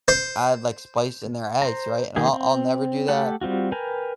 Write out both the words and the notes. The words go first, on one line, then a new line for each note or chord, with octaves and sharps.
add like, spice in their eggs, right, and I'll I'll never do that
C5
C5 A#5
D#3 A#3 G4 G#4
C4
A3 G4 A4 F#5
G3 C4 F4 F#4
A#4 B4 G5 G#5 A#5